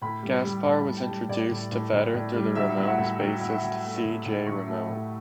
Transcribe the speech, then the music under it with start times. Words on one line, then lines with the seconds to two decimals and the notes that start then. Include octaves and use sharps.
Gaspar was introduced to Vedder through Ramones bassist C. J. Ramone.
0.02 A2 B5
0.23 G3
0.45 G3
0.65 A2 A5
0.87 A2
0.97 G5
1.08 G3
1.29 A2 D5
1.51 A2
1.71 A2
1.93 A2
2.14 A2
2.35 G3
2.55 F#3 E5
2.77 F#3
2.83 E5
2.88 F#5
2.98 A2
3.19 F#3 G5
3.40 F#3
3.51 E5
3.62 F#3
3.83 A3
4.04 A2
4.25 A2
4.46 F#3 C#6
4.68 A3
4.89 A2